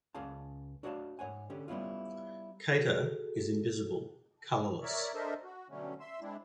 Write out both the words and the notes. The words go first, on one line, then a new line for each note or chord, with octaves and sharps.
Keter is invisible, colorless.
C#2 C#4 G#4 F5 A5
D4 F#4 C#5 F5 F#5 A5
G#2 C#5 F#5 G#5
D3 C#4 G4
G3 B3 C#4 E4 F4
F#4 G#4 A4
A#4 C#5 D5 E5
D4 A4 A#4 C5 D#5 E5
F#4
B2 D3 F#3 G3 A3 C#4
E5 C6 E6
G#3 C4 D4 E4